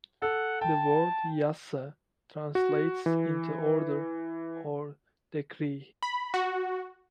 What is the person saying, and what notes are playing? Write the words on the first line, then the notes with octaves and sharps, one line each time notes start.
The word Yassa translates into "order" or "decree".
A4 F#5
G5 A5
F#4
E3
B5
F#4